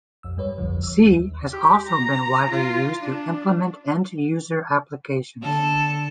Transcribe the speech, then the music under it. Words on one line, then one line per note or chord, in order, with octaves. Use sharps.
C has also been widely used to implement end-user applications.
B1 F2 E6
G2 G3 B4 C#5
G1 C2 F2 D3 F3
E6
D#2
G4
A#5
F4
D4
D3 A4